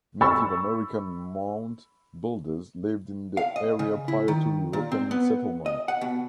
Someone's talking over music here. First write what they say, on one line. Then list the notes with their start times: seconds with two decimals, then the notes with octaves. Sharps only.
Native American mound builders lived in the area prior to European settlement.
0.21 B5 C#6 E6 A6
3.37 F5
3.56 D#5
3.79 C#3
4.08 E4
4.28 D#3
4.73 A#2
4.92 C4
5.11 B3
5.66 D#5
5.88 F#5
6.01 B2